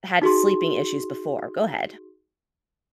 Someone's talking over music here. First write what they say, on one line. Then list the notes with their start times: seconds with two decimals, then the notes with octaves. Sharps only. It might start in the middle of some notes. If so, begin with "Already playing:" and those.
had sleeping issues before. Go ahead.
0.22 D#4 F#4 G#4 C6